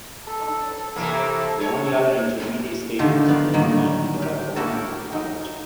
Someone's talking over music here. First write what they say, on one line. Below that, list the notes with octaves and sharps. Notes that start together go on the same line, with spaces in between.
The only other intermediate stations on the new line were at Bowden and Alberton.
A4
C3 E3 A#3 A4
C#5
D3 D#3 A3 F4 G4
B3 D5 F5
A2 D3 D#3 F#3 G3 A#3
G4
A#3 E4 F#4 G4 A4 A#4
D#4